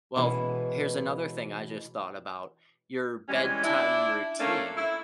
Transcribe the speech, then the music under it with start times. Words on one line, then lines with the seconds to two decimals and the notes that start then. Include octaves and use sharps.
Well, here's another thing I just thought about: your bedtime routine.
0.16 B2 E3 G#3 C#4
3.28 E3 G3 G#3 C#4
3.64 D4 E4
4.39 A3 A#3 C#4 D4
4.76 E4